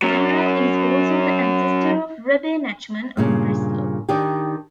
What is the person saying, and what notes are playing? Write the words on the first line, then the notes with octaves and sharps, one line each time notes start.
Maharal is also the ancestor of Rebbe Nachman of Breslov.
F#3 C#4
G2 A#2 C#3
D#3 D4 D#4 G4